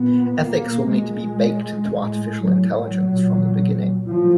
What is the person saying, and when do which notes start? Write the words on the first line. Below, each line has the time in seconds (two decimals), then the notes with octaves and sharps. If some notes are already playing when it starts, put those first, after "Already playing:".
Ethics will need to be baked into Artificial Intelligence from the beginning.
Already playing: A#2 B3
0.41 A#3
0.92 A#2 G#3
1.96 A2 G#3
2.49 F#3
3.02 A#2
4.06 A2 F3